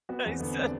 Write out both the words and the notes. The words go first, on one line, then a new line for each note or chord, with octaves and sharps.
I said,
B3 F#4
E2 C4
D3 B3
C4
G3
D4